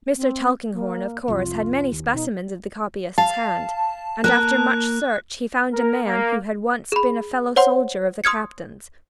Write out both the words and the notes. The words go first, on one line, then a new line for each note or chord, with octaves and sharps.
Mr. Tulkinghorn, of course, had many specimens of the copyist's hand, and after much search he found a man who had once been a fellow soldier of the captain's.
C4
A#3
C2 F2 F4
D#2
B2 D#4
F5 A5
A#3 A#4 F#6
A#4
A#3
G#4 B5
C5 C#5 F#5 C6
C6 D#6 F6 G#6 C#7